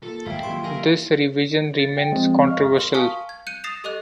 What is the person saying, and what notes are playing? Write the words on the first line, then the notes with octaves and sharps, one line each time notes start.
This revision remains controversial.
A#3 F4 A4
G#2 D#3 E3 E4 F5 G5
D#3 F3 F#3 A#3 G4 C6
A#4 E5 F5 G#5
A6
G5
F3 G#3 C4
D#5 F5 C#6 F6
A#4 C6 G7
F5 G#5 A5 C#6 D#6 F6
G#6
F#6 G6 C#7 D#7
D#6 A6 A#6 C7 E7 F7
G4 A4 D#5 D6 F#6